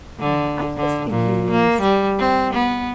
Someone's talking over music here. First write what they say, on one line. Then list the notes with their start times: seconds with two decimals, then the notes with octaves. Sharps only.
Yeah, I used to use
0.20 D3
0.77 D3
1.11 A#2
1.51 A#3
1.82 G3
2.19 C4
2.54 B3